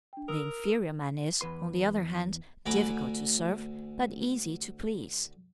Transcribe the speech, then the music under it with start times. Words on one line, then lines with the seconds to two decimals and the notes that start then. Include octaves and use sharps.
The inferior man is, on the other hand, difficult to serve, but easy to please.
0.13 D4 G5
0.28 A#4 D#6 E6
1.41 E2 E3 B4 C6
2.66 D2 F#5 G#5 A#5 B5 D6